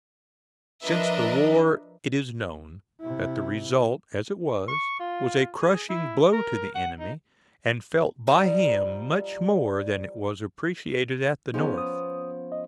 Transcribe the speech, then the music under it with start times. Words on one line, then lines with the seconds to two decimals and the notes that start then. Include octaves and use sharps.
Since the war it is known that the result, as it was, was a crushing blow to the enemy, and felt by him much more than it was appreciated at the North.
0.82 F3 D4 A#4 B4 D#5 E5
3.01 C3 E4
4.68 C#6
5.00 F4
5.61 G#4
5.89 E4
6.33 A#4
6.75 F#5
6.99 D#4
8.27 F3 G3 D#4
11.54 F3 B3 C#4 D#4 G#4
11.78 D#6
12.52 D#5